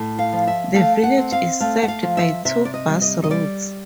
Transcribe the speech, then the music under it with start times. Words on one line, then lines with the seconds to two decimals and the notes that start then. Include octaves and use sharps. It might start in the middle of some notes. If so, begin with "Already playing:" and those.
The village is served by two bus routes.
Already playing: A2
0.19 F5
0.33 F3
0.47 E5
0.75 A3 F5
1.03 F#5
1.18 C4
1.32 F5
1.60 A3 F5
1.83 F#5
1.88 F5
2.03 F3
2.17 E5
2.45 C3 E5
2.65 D5
2.74 D#5
2.88 G3
3.02 D#5
3.24 D#5
3.30 G3 D5